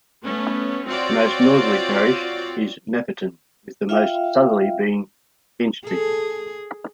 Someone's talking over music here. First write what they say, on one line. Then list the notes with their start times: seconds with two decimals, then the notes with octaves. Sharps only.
The most northerly parish is Mapperton with the most southerly being Henstridge.
0.23 A3 B3 C#4
0.87 C4 F4 F#4 C#5 D5
3.89 F4 E5 F5 G5
5.87 G#4 A4